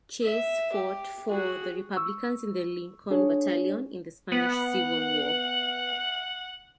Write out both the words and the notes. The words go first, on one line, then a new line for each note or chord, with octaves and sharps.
Chase fought for the Republicans in the Lincoln Battalion in the Spanish Civil War.
E5
G4
F#4 G#4
C#6 E6
D4 G#4 C#5
B3 F#5